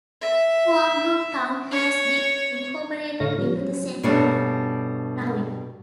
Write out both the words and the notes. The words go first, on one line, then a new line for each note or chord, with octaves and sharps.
Huanglu Town has been incorporated into the center of Nanhui.
E5
C#5
A2 D3 A4 C#5 F5 A#6
F3 G3 C#4
F#3 C#4
G2 B2 G3 A3 C#4 D4